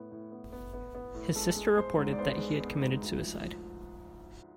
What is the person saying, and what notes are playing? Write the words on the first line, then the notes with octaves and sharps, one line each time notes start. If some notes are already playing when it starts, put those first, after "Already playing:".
His sister reported that he had committed suicide.
Already playing: A2 B3
A2
B3
B3
B3
B3
A2
G#3 A4
G#3
G#3 C5
G#2
D5
B3 C5
G#3
B3
G#2
D2
F3
F3